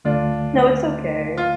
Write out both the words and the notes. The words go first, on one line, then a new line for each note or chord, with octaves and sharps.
No, it's okay.
D2 D3 A3 D4 F4
F4